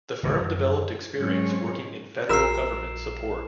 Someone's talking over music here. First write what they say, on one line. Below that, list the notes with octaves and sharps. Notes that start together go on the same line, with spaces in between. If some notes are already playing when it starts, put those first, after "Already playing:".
The firm developed experience working in federal government support.
G#1 C#2 C3
F#2
G#2 F#3 C4 C#4 C#5
A#1 F#4 A#4 E6 C7 E7